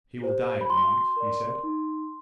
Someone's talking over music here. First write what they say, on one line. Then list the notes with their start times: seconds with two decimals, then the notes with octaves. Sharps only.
"He will die at night," he said.
0.22 G4 C5
0.61 B5
0.70 F#4 C6
1.16 A#4 D5
1.63 D#4